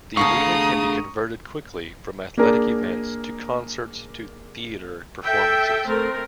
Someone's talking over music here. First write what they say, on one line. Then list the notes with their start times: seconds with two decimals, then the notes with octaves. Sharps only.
The arena can be converted quickly from athletic events to concerts, to theater performances.
0.17 D2 B3 G#4 A4 F5 A#5 C#6 D#6
2.38 A#3 D4 G#4 A#4
5.23 A4 E5 G5
5.85 A3 C4 A#4